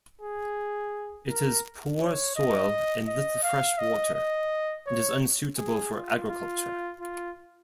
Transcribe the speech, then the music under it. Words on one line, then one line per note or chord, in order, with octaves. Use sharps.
It has poor soil and little fresh water, and is unsuitable for agriculture.
G#4
A#4
C#5
D#5
D#5
F5
D#5
D#5
C#5
G#4
F4
F4
F4